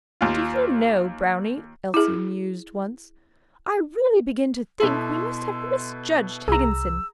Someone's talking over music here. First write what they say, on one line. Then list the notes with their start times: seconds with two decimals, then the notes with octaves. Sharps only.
'Do you know, Brownie,' Elsie mused once, 'I really begin to think we must have misjudged Higginson.
0.21 D#2 F4
1.94 E4 G#4
4.80 B2 E4 A4 C6
6.48 C2 G#4 A#5 E6